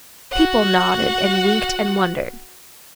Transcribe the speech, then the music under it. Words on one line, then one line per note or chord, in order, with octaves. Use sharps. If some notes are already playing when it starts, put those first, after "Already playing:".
People nodded and winked and wondered.
F#4 F#5